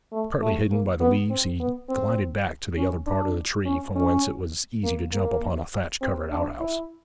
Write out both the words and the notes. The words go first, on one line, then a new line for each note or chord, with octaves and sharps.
Partly hidden by the leaves he glided back to the other part of the tree, from whence it was easy to jump upon a thatch-covered out-house.
A3
A3
A#3
B3
C4
B3
C4
C#4
D4
C#4
C#4
A#3
A#3
C4
D4
E4